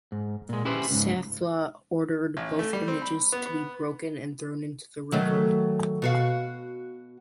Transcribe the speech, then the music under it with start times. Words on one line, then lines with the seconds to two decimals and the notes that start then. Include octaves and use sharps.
Satha ordered both images to be broken and thrown into the river.
0.12 G#2
0.49 A#2 G#3
0.65 C#4 E4 G4 B4 C5
0.91 C#2 G#2
2.37 A1
2.59 A3
2.73 G3
2.88 C4
3.02 B5
3.32 B3
3.46 B3
5.12 D#3 F#3 A3
6.02 B2 F#4 F5